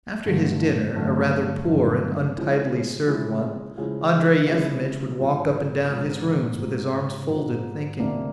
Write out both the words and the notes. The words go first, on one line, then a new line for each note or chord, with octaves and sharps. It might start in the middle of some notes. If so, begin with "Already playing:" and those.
After his dinner--a rather poor and untidily served one--Andrey Yefimitch would walk up and down his rooms with his arms folded, thinking.
G2 D3 F#3 A3
G2 D3 F#3 A3
G2 D3 F#3 A3
C#3 F3 G#3 C#4 E4
C#3 F3 G#3 C#4 E4
C#3 F3 G#3 C#4 E4
C#3 F3 G#3 C#4 E4
G#2 F3 G#3
G#2 F3 G#3
G#2 F3 G#3
G#2 F3 G#3
D2 C3 F3 A#3 D4